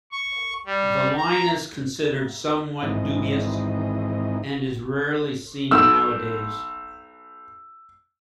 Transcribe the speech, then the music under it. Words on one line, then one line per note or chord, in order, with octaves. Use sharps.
The line is considered somewhat dubious and is rarely seen nowadays.
C#6
G3
A#5
G#2 D#3 E3 C4 D#5
B1 E6